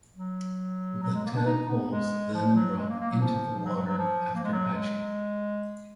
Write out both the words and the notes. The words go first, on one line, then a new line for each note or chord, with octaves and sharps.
The tadpoles then drop into the water after hatching.
F#3
F#3
G#3
A#3
B3
D4
D#4
B3
G#3
F3
F#3
G#3
A#3
A#3
F#3
F3
F3
F#3
F#3
F#3
F3
A#3
G#3
F#3
G#3